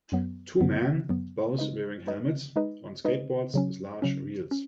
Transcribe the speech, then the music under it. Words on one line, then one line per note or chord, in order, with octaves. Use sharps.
Two men, both wearing helmets, on skateboards with large wheels.
F#2 F#3 B3
F#2 F#3 B3
F#2 F#3 B3
G#3 D#4 B4 D#5
G#3 D#4 B4 D#5
G#3 D#4 B4 D#5
G#3 D#4 B4 D#5
C#3 F#3 C#4
C#3 F#3 C#4
C#4